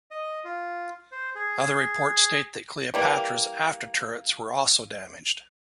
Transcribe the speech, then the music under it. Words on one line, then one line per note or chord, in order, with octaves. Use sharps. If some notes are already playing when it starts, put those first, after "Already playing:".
Other reports state that "Cleopatra's" after turrets were also damaged.
D#5
F4
C5
G#4
G#4
E3 G3 A#3